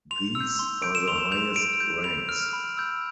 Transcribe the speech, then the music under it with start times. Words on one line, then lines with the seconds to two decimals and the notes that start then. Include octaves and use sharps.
These are the highest ranks.
0.11 C6 F7
0.35 E6
0.40 G6
0.59 C6
0.82 G6 D7
0.95 E7
1.08 C6 F7
1.32 G6 F7
1.56 C6 D7
1.80 G6
2.04 B5 F7
2.29 F6
2.53 B5
2.77 E6 G6